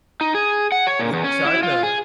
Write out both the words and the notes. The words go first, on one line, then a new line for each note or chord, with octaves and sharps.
with China,
D#4
G#4
F#5
C#5
A#2
E2
C#4
E4
F4
G#4